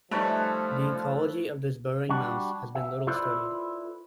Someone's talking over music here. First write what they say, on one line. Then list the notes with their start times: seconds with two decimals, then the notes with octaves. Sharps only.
The ecology of this burrowing mouse has been little studied.
0.11 F3 G3 A3 D#4 A4 B4 C#5
2.09 G3 D4 F#4
2.75 E5
3.07 E4 F4 A4 B4 C5 D5